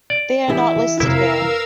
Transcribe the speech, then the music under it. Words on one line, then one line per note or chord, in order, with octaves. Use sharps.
They are not listed here.
D5
E3 E4 G4 G#4
F2 C3 E4 A#4 B4 F5 E6